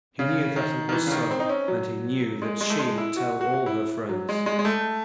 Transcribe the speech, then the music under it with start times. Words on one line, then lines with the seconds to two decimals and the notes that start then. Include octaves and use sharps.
He knew that it was so, and he knew that she would tell all her friends.
0.19 C#3
0.56 D#3
0.89 D#3
0.92 E3
1.07 C#3
1.12 D#3
1.31 C4
1.40 D#4
1.49 C#4
1.68 F#3
2.42 G#3
2.61 G#3
2.70 A3
2.79 G#3
2.98 E4
3.16 F#4
3.41 F#4
3.66 E4
4.09 F#3
4.29 G#3
4.46 G#3
4.59 G#3
4.65 A3